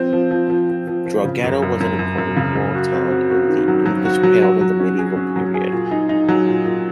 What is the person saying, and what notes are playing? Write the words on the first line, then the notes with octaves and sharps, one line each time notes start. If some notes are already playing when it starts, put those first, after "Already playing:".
Drogheda was an important walled town in the English Pale in the medieval period.
Already playing: F3 C4
F3
F3
F3
F3
F3
F3
C#3
F#2
F#2
F#2
F#2
F#2
C#3
F#2
F#4
C4
F#4
F#4
D#3
F#3
F#3
F#4
F#3
F#3
F#3
C#4
G#4
C#4
F#3
G#4
A#2
D#4
D#4
F#3
A#2
A#2